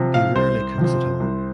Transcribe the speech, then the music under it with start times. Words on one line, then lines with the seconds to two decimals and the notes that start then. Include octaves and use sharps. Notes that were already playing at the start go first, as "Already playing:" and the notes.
He rarely cooks at home.
Already playing: C3 F3
0.14 F5
0.35 C2 C5
0.78 C3 F3
1.20 C2